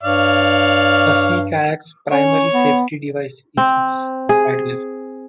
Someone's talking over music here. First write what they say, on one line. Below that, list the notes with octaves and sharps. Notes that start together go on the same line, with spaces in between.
A sea kayak's primary safety device is its paddler.
G2 C#5 D5 F5
C#4 C#5
B3
C4
G#4